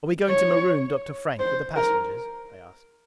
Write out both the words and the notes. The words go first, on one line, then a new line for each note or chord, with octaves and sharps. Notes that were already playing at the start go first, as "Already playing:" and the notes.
"Are we going to maroon Dr. Frank with the passengers?" I asked.
C#5
C5
A#4